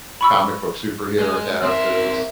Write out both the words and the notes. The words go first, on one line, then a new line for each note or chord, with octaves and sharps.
comic book superhero characters.
B5 C#6 E6
G#3
C4 A#4 E5 C6